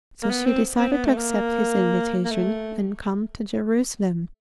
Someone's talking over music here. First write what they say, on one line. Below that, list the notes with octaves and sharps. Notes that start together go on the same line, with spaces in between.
So she decided to accept his invitation and come to Jerusalem.
A#3
B3
C4
C4
B3
A3
A#3
A#3
A3